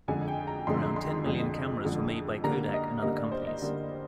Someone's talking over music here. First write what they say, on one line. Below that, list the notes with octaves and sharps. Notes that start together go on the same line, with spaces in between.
Around ten million cameras were made by Kodak and other companies.
F2 D3 G#3 G#5
G5
A#5
F2 D3 G#3 C6
C6
F2 D3 G#3
F2 D3 G#3
D3 G3 A#3 A#5
D#5
D3 G3 A#3 D#5
D5
C5
D#5
D3 G3 A#3